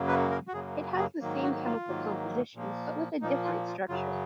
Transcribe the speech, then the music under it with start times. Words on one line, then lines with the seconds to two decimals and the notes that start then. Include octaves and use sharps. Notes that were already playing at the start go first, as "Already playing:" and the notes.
It has the same chemical composition, but with a different structure.
Already playing: F#2 C#3 F#3 A#3
0.08 B4
0.31 A#4
0.48 F#4
0.52 F#2 C#3 F#3 A#3 G#4
0.98 G#4
1.21 G#2 D#3 F#3 A#3
1.43 F#4
1.65 F4
1.88 G#2 D#3 F#3 A#3
2.55 A#2 F3 A#3
3.22 A#2 F3 A#3 D#4
3.45 F4
3.67 F4
3.89 F#2 C#3 F#3 F4